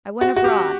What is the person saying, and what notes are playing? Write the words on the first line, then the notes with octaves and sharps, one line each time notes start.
I went abroad.
F#4
F#4
G4